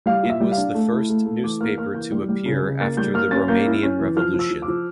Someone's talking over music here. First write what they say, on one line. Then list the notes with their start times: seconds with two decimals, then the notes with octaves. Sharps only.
It was the first newspaper to appear after the Romanian Revolution.
0.06 G3 F5
0.23 A#2
0.30 E5
0.40 G3
0.52 F5
0.58 D4
0.74 A3
0.92 E4
1.10 A3
1.26 A3
1.43 E3 D6
1.61 A#3 F6
1.77 A#3 F6
1.94 E3 G6
2.11 G3
2.29 G3
2.46 C#3
2.63 C#3
2.80 A#3 A6
2.97 G3 G6
3.14 A#3 F6
3.31 C#4 A6
3.48 A#3 G6
3.66 E4
3.83 C#4
4.00 E3
4.17 F3 F6
4.34 F3
4.39 E6
4.51 F3
4.62 D6
4.68 F3